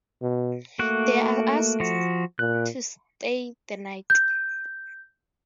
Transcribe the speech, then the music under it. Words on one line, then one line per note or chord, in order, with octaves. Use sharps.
They are asked to stay the night.
B2
A3 A#3 F#4 F#6
F3 F#4
A#2 F#6
G6